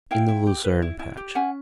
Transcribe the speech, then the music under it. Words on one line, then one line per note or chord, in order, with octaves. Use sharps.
In the Lucerne Patch.
E4 F5 G5
E4
G4
B4
E4
E4
G4
C#4 F#5 G#5